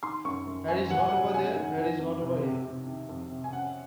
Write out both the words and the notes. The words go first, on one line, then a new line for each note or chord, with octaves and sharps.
Harry's not over there, Harry's not over here.
D#3 C6
F#2 C#6
F#2
F#2 G#5
F#3 F#5
G#5
F#5
F#3
F#3 G#5
D#3
D#3
F2
C3
C3
C3
D#3
F2
C3
G#5
C#4 F#5